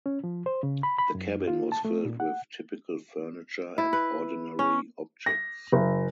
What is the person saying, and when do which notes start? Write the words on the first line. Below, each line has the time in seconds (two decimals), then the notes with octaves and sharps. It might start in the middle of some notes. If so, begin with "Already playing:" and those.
The cabin was filled with typical furniture and ordinary objects.
0.06 C#4
0.24 F3
0.46 C5
0.63 C#3
0.83 B5
0.98 B5
1.15 F#2
1.48 F4
1.72 A5
1.85 A3
2.05 A#2
2.20 F#5
3.78 E4
3.93 B4
4.59 C#4
5.26 A#6
5.72 F#1